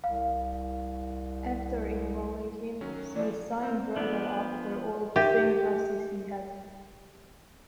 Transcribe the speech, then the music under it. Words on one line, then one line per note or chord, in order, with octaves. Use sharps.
After enrolling him, Smith signed Burdell up for all the same classes he had.
C2 F5
D#3 F#3 C#4
E3 F3 D5
C4
F3 B3 D4
D#4 G4 A#4 E5